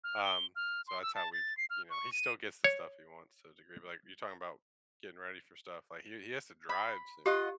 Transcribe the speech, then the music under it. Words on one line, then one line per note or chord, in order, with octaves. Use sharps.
Um, so that's how we've, you know, he still gets the stuff he wants to a degree, but, like, you're talking about getting ready for stuff, like, he he has to drive soon.
F6
G7
F6
C6
E6
A5
A6
C7
F6
C#6
D#7
C#5
B5
F4 G4 D#5 F#5